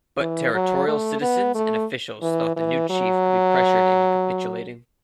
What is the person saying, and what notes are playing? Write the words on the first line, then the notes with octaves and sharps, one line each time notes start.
But territorial citizens and officials thought the new chief could be pressured into capitulating.
E3
F#3
A3
B3
A3
E3
E3
F#3